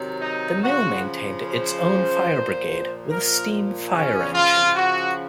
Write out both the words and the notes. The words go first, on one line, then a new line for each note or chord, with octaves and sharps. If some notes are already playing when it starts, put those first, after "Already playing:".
The mill maintained its own fire brigade with steam fire engine.
Already playing: C3 D#3 F#3
D#4
C#3 F3 F#4
C5
A#2 F3
A#4
C#3 F3 C#4
F4
F#4